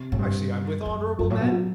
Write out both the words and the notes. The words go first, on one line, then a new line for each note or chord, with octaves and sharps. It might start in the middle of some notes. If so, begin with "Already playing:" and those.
I see I'm with honorable men.
Already playing: C3
A2
G2
F#2
F#2 F#3
A2
B2
F#3